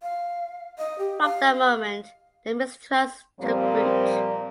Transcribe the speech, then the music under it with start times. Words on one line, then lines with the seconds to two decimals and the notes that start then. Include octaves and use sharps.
From that moment the mistrust took root.
0.02 F5
0.78 D#5
0.99 G4
1.22 F5
3.40 A#2 F3 G3 A#3 C4